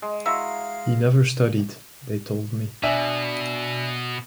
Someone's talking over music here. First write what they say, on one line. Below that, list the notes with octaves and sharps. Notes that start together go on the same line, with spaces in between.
'He never studied', they told me.
G#3
E4 F#4 F5 A#5 C6 E6
B2 D4 E5 G#5